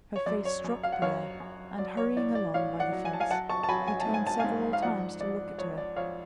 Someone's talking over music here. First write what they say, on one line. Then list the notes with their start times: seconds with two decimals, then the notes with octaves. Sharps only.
Her face struck Pierre and, hurrying along by the fence, he turned several times to look at her.
0.16 C#5
0.26 F#2 D5
0.45 C#5
0.64 F#2
0.83 F5
0.92 F#5
1.02 F#2 C#5 F5
1.40 F#2
1.79 F#3 D5
1.97 C#5
2.16 A2 D5
2.35 D5
2.54 A2 C#5 F5
2.79 D5 F#5
2.92 F#3
3.05 G#5
3.13 A5
3.20 F5 G#5
3.31 F#3 F#5 A5
3.49 A5 C#6
3.63 A5
3.69 F#3 G#5 B5
3.87 G#5
4.00 A5
4.07 G#2
4.14 G#5
4.27 A5
4.40 G#2 F5 G#5
4.73 F5
4.82 F2 D5 F#5
5.20 F2 D5
5.58 F2 C#5
5.78 D5
5.96 F2 C#5 F5